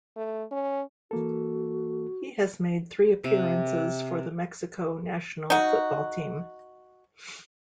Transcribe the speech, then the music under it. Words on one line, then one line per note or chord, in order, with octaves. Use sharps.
He has made three appearances for the Mexico national football team.
A3
C#4
E3 A#3 F#4 A4
C3
D#4 F#4